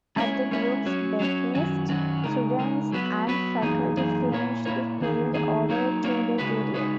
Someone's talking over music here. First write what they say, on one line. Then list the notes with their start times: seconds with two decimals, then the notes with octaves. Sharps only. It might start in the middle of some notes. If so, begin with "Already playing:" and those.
At the group's behest, students and faculty finished the field over a two-day period.
0.16 G#3 C#4 E4 A#4 C#5
0.51 G#3 C#4 E4 A#4 C#5
0.85 F#3 C#4 F#4 C#5
1.20 F#3 C#4 F#4 C#5
1.55 F#2 D#3 F#3 C#4 F#4
1.89 F#2 D#3 F#3 C#4 F#4
2.24 C#3 G#3 D#4 A#4
2.58 C#3 G#3 D#4 A#4
2.92 F#3 B3 F#4 B4
3.27 F#3 B3 F#4 B4
3.61 F#2 E3 A#3 D#4 G#4
3.96 F#2 E3 A#3 D#4 G#4
4.31 A#2 A#3 E4 A#4 C#5
4.65 A#2 A#3 E4 A#4 C#5
5.00 E2 D#3 A#3 D#4 G#4
5.34 E2 D#3 A#3 D#4 G#4
5.69 F#3 A#3 D#4 A#4 C#5
6.04 F#3 A#3 D#4 A#4 C#5
6.38 C#3 G#3 D#4 F#4 B4
6.73 C#3 G#3 D#4 F#4 B4